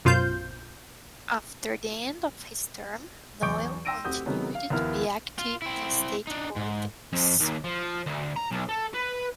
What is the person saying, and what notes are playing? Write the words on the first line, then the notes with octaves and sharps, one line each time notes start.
After the end of his term, Noel continued to be active in state politics.
F#2 B2 F4 C5 F5 G6
B1 E2 C#6 D6 G6 D7
G5 C6 E6 A#6 D7 D#7
D1 C4 G4 F#5 D#6 G6
C3 D#3 F#3 G#3 B3 C#4
F5
D#2 F3 B3 E4 A#4 F6
F4
C4 E4
D4 D#4
G#2
F2
D#2
F3
D2
A#5
B1
A4
B4